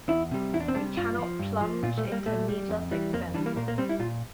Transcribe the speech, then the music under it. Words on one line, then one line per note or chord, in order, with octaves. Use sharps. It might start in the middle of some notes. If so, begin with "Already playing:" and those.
We cannot plunge into needless expense.
E2 E4
C3 G3
E2 E4
D4
C4
C3 G3 D4
G2 F4
F3
G2
F3
A#2 F4
A3
G3
A#3
A#2 A3
G3
F2
E3 G3
F2 A#3
E3 G3 D4
A#3
A#2 A#3
A#3
G3 C4
E4
A#2 F4